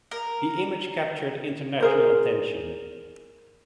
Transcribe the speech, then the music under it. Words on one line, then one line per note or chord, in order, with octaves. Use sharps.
The image captured international attention.
A#4
G#4 A#4 C5